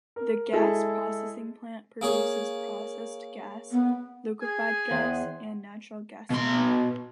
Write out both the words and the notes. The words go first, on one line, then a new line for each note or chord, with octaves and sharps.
The Gas Processing Plant produces processed gas, liquefied gas and natural gasoline.
A#4
G#3 E4 G#4 A4
A#3 G#4 C#5
B3
G#4 G#5
E2 C5 F#5 G5
B2 C6